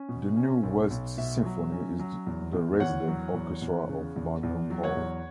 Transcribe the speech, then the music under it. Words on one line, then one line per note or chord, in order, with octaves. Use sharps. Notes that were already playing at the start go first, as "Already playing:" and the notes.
The New West Symphony is the resident orchestra of Barnum Hall.
Already playing: C#4
B2
C#4
B1
B1
B2 E5
F#3
C#4
F#3
E2
E2
E2 C#5 F#5
F#3
E2
E2
C#3
E2
E2
F#3
C#5 F#5
E2